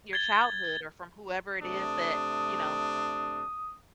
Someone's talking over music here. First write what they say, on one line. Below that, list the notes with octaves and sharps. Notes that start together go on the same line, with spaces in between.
your childhood or from whoever it is that, you know,
G#6 A6 G7
C3 A3 D4 D#6